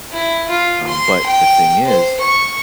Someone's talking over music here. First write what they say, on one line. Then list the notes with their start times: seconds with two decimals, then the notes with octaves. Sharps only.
Um, but the thing is,
0.13 E4
0.49 F4
0.88 C6
1.27 G5
1.86 C5
2.20 C#6